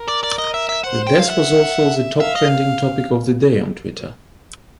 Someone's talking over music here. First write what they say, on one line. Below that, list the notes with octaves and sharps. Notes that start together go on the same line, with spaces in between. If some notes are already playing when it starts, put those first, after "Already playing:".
The death was also the top trending topic of the day on Twitter.
Already playing: A#4
D5
D5
D#5
E5
E5
C5 F#5
G5
F5
E5 F#5
E5 F5
D#5